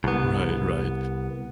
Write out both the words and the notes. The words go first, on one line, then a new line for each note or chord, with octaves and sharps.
Right, right.
C2 B3